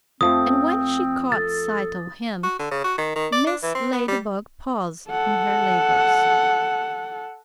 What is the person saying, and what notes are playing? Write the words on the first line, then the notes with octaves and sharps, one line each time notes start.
And when she caught sight of him Mrs. Ladybug paused in her labors.
F2 F3 A3 C4 D#6
A4 A6
F#4
D3
C#3
F#4
D#3
D#3
D5
D4
E3
C4
B3
G3
A4 F#5